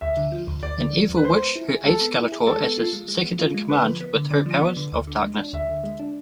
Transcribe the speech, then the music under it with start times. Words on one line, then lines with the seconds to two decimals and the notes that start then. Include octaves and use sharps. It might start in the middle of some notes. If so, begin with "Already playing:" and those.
An evil witch who aids Skeletor as his second-in-command with her powers of darkness.
0.01 D2 E5
0.17 D3
0.32 F3
0.47 D2
0.63 D2 D5
0.78 D3
0.93 F3
1.09 D2
1.17 B4
1.24 G#3 C5
1.40 B3
1.56 E4
1.70 G#4
1.86 G#3 A4
2.01 B3
2.16 E4
2.32 G#4
2.47 G#3 A4
2.62 B3
2.78 F4
2.93 G#3
3.08 G#3
3.23 B3
3.39 F4
3.54 G#3
3.70 D3 B4
3.85 F3
4.00 B3
4.15 D3
4.31 D3 D5
4.46 F3
4.61 B3
4.77 D3
4.92 D2
5.07 D3
5.23 G#3
5.38 D4
5.53 D2 E5
5.69 D3
5.84 G#3
6.00 D4